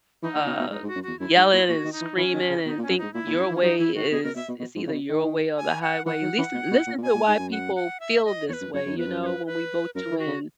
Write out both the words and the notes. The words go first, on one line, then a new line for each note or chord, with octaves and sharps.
uh, yelling and screaming and think your way is is either your way or the highway. Listen listen to why people feel this way, you know, when we vote you in.
E3 D#4
D#3
B2
B2
G#2 D#4
G#2
F#4
F#2
E2 F#4
F#2 E4
G#2 D#4
A#2 E4
A#2 F#4
D#3
D#4
E3
E3 C#4
D#3
C#3
B2 D#4
A#2
C#4
F#2
G#2 D#4
A#2 E4
A#2
E2
F#2
E3
C#4
F#3 D#4
E3 E4
D#3 F#4
B2 G#4
B2 A#4
B2 E5
B2
B2
G#2
C#3
B2
D#3
G#5
F#5
E3 F#5
F#3
E3
B2
B2
A#2
A#2
B2 G#5
A#2
G#2
F#2
F#5
F#5
E5
D#5
E2 C#5
B4
F#2
F#2 C#5
F#2
E2 B4
F#2
C#5
B4
B4
F#2 A#4
E3
F#4
C#3